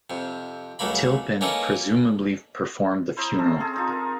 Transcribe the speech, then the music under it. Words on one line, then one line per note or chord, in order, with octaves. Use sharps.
Tilpin presumably performed the funeral.
F2 C3
C#2 F#3 A3 A#3 B5
A#3 C#4 D#4 E4 A4 B4
E4 C5 A#5 D#6
C#4 A4 E5 A#5
C4 G#4 A4
C4 D#4 F4
A#4